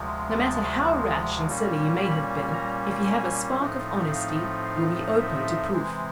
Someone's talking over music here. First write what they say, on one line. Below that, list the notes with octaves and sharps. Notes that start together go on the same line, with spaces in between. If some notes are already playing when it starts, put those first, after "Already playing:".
No matter how rash and silly you may have been, if you have a spark of honesty you'll be open to proof.
Already playing: D2 C3 F3 G#3
A5
A#2 G3 A#3 C#4
B5
A#5
G#5
A2 F3 A3 C4 D#4
F5
F5
E5
C3 E3 G#3 C4